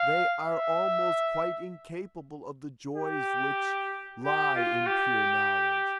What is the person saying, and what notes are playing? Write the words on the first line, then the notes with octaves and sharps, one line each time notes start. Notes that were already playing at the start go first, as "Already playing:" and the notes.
They are almost quite incapable of the joys which lie in pure knowledge.
Already playing: F5
E5
G4
G4
F4
G4